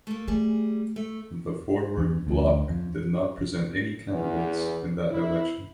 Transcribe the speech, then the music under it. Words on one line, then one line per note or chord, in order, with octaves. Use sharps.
The Forward Bloc did not present any candidates in that election.
A3 A#3
G3 A3 G#4
A3
E2
D2
F2
E2
E4